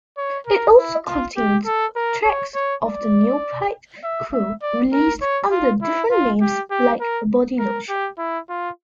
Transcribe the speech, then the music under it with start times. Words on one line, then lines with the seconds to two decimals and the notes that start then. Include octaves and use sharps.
It also contains tracks of the Neophyte crew released under different names like "Bodylotion".
0.18 C#5
0.47 A#4
0.77 E4
1.07 F4
1.36 G4
1.66 A4
1.96 A#4
2.25 C#5
2.55 C#5
2.85 D5
4.04 E5
4.33 E5
4.62 D5
4.93 A#4
5.21 C#5
5.51 F4
5.82 E4
6.10 F4
6.41 G4
6.71 G4
7.00 A#4
7.59 A#4
7.89 G4
8.18 E4
8.49 F4